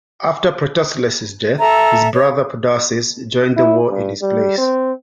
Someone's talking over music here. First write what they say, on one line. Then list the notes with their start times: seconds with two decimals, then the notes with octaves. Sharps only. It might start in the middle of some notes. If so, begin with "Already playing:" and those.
After Protesilaus' death, his brother, Podarces, joined the war in his place.
1.59 A4 E5 A#5
2.13 C#5
3.57 E4
3.90 G2
4.22 G3
4.58 C4